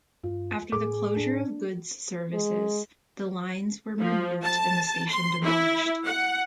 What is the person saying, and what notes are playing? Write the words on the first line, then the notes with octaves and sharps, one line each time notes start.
After the closure of goods services, the lines were removed and the station demolished.
G2 F4
A2 G#4 D6
D4
G#3
F3
A5
C6
E4
F#5